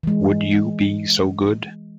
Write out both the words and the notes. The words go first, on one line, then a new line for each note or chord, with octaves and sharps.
Would you be so good?
E3 G#3